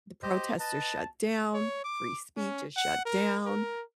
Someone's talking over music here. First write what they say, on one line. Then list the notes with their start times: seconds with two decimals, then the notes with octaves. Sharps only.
the protests are shut down, free speech is shut down,
0.23 G4 C5 D#5
0.60 B4 D#5 A5
1.54 C#5
1.85 D6
2.37 C#4
2.77 F#5
3.06 A#4
3.46 A#4